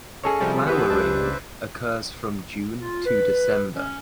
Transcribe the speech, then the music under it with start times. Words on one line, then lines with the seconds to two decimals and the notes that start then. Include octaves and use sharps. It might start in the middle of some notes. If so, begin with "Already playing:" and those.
Flowering occurs from June to December.
0.24 C#4 G#4 A4 C#5 D#5
0.40 C3 F3 G3
0.67 E3 B3 G4 B4 C5 E5
0.90 C#2 D4
2.81 F4
3.05 B4
3.75 C#4